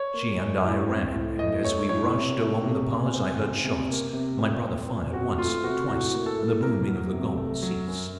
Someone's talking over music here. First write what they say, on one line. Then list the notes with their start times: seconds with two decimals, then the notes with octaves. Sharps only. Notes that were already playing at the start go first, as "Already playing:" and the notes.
She and I ran, and as we rushed along the path I heard shots. My brother fired--once--twice--and the booming of the gong ceased.
Already playing: C#5
0.14 A#3
0.39 F#2
0.65 A2
0.89 C4
1.14 A2
1.39 A2 D#5
1.64 A3 C#5
1.89 A2 C#5
2.14 C3
2.39 A3
2.64 C3
2.89 C#3
3.14 C4
3.39 C#3
3.64 C3
3.89 A#3
4.13 C3
4.39 A#2
4.63 C4
4.89 A#2
5.13 C4 F#4
5.38 A3 F4
5.64 C3 F#4
5.88 A2 F#4
6.14 A#3
6.26 A4
6.38 A2
6.63 A#3 A#4
6.88 F#3
7.13 C3
7.37 A3
7.62 F#3
7.88 F#2